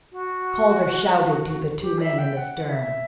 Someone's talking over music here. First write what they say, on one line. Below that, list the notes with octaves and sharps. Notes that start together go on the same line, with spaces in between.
Calder shouted to the two men in the stern.
F#4
G4
E5
G5
F#5
F#5
E5